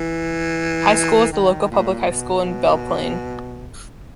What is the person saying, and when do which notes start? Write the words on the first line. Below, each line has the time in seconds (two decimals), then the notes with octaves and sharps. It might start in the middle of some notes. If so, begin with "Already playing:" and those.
High School is the local public high school in Belle Plaine.
Already playing: E3
1.32 D#3
1.71 A#2
2.10 B2